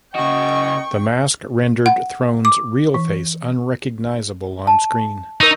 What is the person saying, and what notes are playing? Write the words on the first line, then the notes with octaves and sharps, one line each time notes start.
The mask rendered Throne's real face unrecognizable on screen.
C#3 F#4 D#5 G5 C#6
F#5
D6
E3
A5
D#4 A#4 C#6